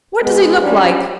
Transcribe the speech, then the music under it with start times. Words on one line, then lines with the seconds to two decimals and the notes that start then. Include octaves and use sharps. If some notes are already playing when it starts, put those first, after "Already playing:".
What does he look like?'
0.21 G#3 B3
0.61 F#3 G3 C#4 D4 F4